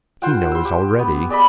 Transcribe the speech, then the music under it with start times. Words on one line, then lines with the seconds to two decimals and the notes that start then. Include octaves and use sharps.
He knows already.
0.22 F4 C5 F#5 G5
0.52 C6 E6
0.65 G4
0.99 B3
1.29 G#4 D5 D#5 B5